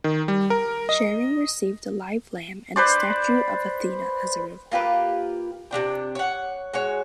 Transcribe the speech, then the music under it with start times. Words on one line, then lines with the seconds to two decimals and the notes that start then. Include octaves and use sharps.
Sherring received a live lamb and a statue of Athena as a reward.
0.04 D#3
0.28 G3
0.50 A#4
0.89 D#5
2.76 B4 C5 D5
4.71 A#3 F4 G4 B4
5.71 C3 G3 D4 G5
6.15 C#5 F#5
6.73 G#3 F#4 C#5